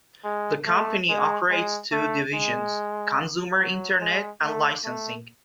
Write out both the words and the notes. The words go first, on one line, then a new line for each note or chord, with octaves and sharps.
The company operates two divisions: consumer internet and licensing.
G#3
A3
G#3
G#3
A3
G#3
F#3
G#3
A3
A3